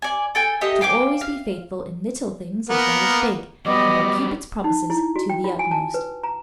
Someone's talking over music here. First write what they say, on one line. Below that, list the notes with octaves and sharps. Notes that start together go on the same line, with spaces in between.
It will always be faithful in little things as well as big, and will keep its promises to the utmost.
D5 G#5
A4 G5 G#5
E4 G4 A4 D#5
F5 G5 G#5 D6
F5
A#3 B3 A#4
F#3 G3 B3 G4 D#5 D6
D#4
E4
F#4
G5
F4
G#5
A5
B4
A#5